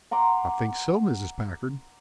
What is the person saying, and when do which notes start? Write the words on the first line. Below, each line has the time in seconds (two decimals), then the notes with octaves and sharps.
"I think so, Mrs. Packard."
0.11 F#5 A#5 C6 D6